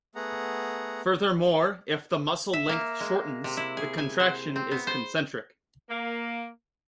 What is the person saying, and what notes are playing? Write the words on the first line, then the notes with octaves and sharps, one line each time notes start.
Furthermore, if the muscle length shortens, the contraction is concentric.
A3 B3 G#4 F#5 A#5
E5
A#3
G#3
C3
E4
G#4
G#5
C5
C4
B3
C5
A#3